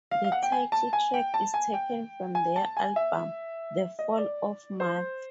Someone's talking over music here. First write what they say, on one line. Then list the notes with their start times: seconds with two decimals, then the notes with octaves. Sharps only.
The title track is taken from their album "The Fall of Math".
0.11 F5
0.24 F5
0.32 F#5
0.43 G5
0.52 G#5
0.72 A5
0.93 G#5
1.14 G5
1.34 A5
1.54 G#5
1.74 G5
2.35 G#5
2.56 A5
2.77 G#5
2.96 E5
3.99 D#5
4.18 D5
4.80 C5